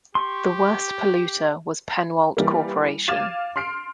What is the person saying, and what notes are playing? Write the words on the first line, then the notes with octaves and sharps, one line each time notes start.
The worst polluter was Pennwalt Corporation.
G4 C6 C#6
E3 G3 A#3
F5 D6 G#6 A6 D#7 E7
C6 F6 C7 D7